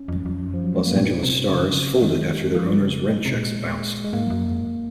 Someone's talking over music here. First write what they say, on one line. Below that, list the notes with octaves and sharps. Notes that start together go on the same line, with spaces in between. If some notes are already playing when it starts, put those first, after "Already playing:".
Los Angeles Stars folded after their owner's rent checks bounced.
Already playing: C#4
F2
F2
F#2
F3
F#3
G#3
A#3
A#2 C4
C3
C#3
D#3
C#3
D#3 G#3
F3
C#3
C3 G#3
C3
A#2
G#3
G#2 A#3
F#2
F2
G#2